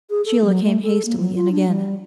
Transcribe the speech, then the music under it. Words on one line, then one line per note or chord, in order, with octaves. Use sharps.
Sheila came hastily in again.
G#4
A4
F#3
A3
A4
A#3
F#3
F4
D4
G3